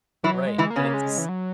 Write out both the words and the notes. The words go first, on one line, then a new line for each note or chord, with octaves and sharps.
Right, and it's a ci
E3 F#3 E4
G#3
E3 E4
A#3
C#3 B3 C#4
A#3
G#3
E3
F#3